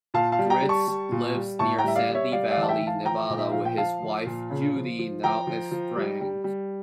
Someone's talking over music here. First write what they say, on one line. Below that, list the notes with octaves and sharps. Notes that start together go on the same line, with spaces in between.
Gritz lives near Sandy Valley, Nevada, with his wife Judy, now estranged.
A#2 F5 A5
F5 A5
G3
G5 A#5
G3
A5 C#6
G3
A#2
G3
A2 A5 C#6
G5 A#5
G3 E5
D5 F5
G3
C#5 E5
G3 D5 F5
D5 F5
E3
A5
E5 G5
E3
F5 A5
F3 G5 A#5
A#2
E5
F3 F5
G5
F3 F5 A5
F3
A#2
C#3
F3
F3
F3 G5 A#5
F3
F3
G3
G3
G3